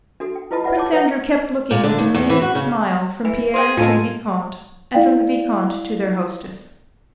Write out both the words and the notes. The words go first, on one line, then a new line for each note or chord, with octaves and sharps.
Prince Andrew kept looking with an amused smile from Pierre to the vicomte and from the vicomte to their hostess.
D4 F#4 A4
G5
E4 F4 B4 D#5 A5 B5
B4 D5 E5 F#5 B5
C#5 A5 D6
B4 C#5 D#5 F#5
A#2
D3
D#2
E2
E3
F#4
C#3
E3
G#4 C5 F5 G5
A2 D3 F3 G#3 F4 A4 G#5
E4 D5 F5 G5